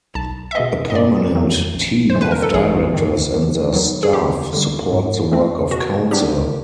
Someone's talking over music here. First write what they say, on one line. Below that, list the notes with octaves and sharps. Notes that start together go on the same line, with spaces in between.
A permanent team of Directors and their staff support the work of Council.
B1 A5
E5
B2 G#3 B3 D#5
D#5
G2 D5
D#3 F#3 A3
A#1
C5
A2 E3 G#3
B4
A#4
A4
A1 G#4
G#2 D#3
F#2
D#3 F#3 B3
G#4
F#2 G4
D3 G3
G#2
F3 A3 C4
B2 F#4
G3 B3 D4 G4